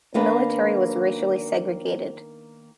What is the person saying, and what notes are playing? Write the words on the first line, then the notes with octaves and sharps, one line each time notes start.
The military was racially segregated.
D#3 A#3 B3 D4